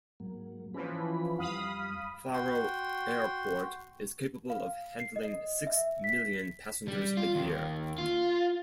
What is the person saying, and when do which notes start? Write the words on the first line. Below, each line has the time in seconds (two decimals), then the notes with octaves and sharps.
Faro Airport is capable of handling six million passengers a year.
0.20 G#2 F#3 A#3
0.74 E3 F3 C#4 B5
1.39 F2 G3 F5 B5 D#6
2.33 F#4 G5 C6
4.50 F5
5.00 C7
5.16 D#5
5.67 E5
6.04 B6
6.88 G3
7.17 F4
7.35 D#2
7.98 F4